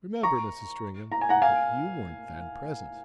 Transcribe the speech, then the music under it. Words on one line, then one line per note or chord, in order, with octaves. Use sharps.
"Remember, Mrs. Stringham, that you weren't then present."
A#5 C#6
A#5
G#5
F#5 A#5
F5 G#5